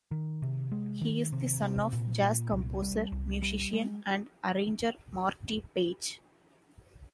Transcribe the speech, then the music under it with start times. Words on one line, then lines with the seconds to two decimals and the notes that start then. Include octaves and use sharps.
He is the son of jazz composer, musician, and arranger Marty Paich.
0.11 D#3
0.42 C3
0.72 G#3
1.01 D#3
1.32 C3
1.62 C3
1.93 A#2
2.22 A#2
2.52 C2
2.82 G3
3.12 C2
3.42 G3
3.73 G#3